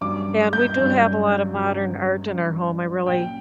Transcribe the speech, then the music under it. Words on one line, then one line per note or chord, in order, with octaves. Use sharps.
And we do have a lotta modern art in our home. I really
G2 F#3 C#4 D6
G6
G2 F#3 C#4
G2 F#3 C#4
G2 F#3 C#4
A#2 F#3 C#4 G5